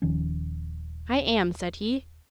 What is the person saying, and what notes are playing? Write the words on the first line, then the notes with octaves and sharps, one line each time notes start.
"I am," said he.
D#1 D#3 F3 C#4